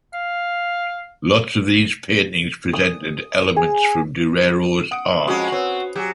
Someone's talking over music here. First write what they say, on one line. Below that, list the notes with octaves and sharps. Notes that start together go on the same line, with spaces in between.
Lots of these paintings presented elements from Durero’s art.
F5
D#6
G#4
F#5 D#6 D7
F2 G#3 C#4 F#4 D#6
C4 B4 C#5
F#3 G4 G#5